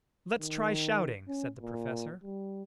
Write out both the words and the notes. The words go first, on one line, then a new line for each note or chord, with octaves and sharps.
"Lets try shouting," said the Professor.
D#3
C#4
A#2
G3